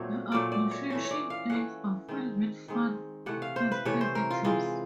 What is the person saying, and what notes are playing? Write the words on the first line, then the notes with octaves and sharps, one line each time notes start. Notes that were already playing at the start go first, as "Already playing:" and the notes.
The Appreciation Days are filled with fun festivities.
Already playing: A#2 F#3 A3 C4 C#5
A#2 F#3 A3 C4 D5
D5
C#5
E3 A3 C#4 C#5
C#5
D5
F5
E3 A3 C#4 F#5
D#3 G#3 C4
D#3 G#3 C4
C3 E3 A3 F#5
F5
C5
B4
C3 E3 A3 C#5
C5
A#4
F4
E3 G#3 C4 F4